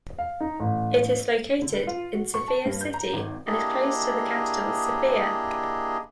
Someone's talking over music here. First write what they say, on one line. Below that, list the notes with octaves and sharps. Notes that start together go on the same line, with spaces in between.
It is located in Sofia city and is close to the capital Sofia.
F5
D#4
A1
D3
B4
F4
F#4
C#6
A5
G2
G6
A#5
G#1
A#3 D4 E4 G4 G#4 D#5